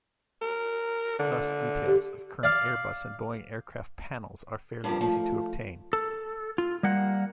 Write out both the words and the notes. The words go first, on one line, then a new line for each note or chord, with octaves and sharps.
Thus details of current Airbus and Boeing aircraft panels are fairly easy to obtain.
A#4
D3
G4
D5 F5
G2 C3 F3 G4 A#4
F3 A3
A4
F4
G3 A#3 F#5